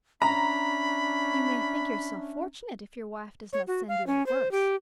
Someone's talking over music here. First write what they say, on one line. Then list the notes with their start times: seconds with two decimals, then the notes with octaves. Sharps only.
"You may think yourself fortunate if your wife does not send you a worse."
0.22 C#4 D4 E5 A#5 B5
3.53 C#5
3.67 F#4
3.88 F5
4.07 C#4
4.26 C5
4.51 G4